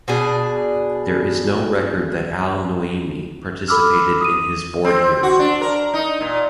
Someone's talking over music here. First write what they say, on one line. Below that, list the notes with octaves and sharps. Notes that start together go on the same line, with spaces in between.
There is no record that Al Noaimi participated in his Board hearing.
B2 D4 G#4
A4 B5 D6 E6 F6
D#6 D#7
C4
F#4
D4
A#4
D#4
A#2